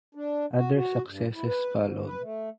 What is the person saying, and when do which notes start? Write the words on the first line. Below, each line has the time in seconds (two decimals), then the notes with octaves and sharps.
Other successes followed.
0.15 D4
0.55 F#4
0.75 F#4
1.06 G2
1.34 E4
1.46 B4
1.76 G#2
2.06 B4
2.22 A3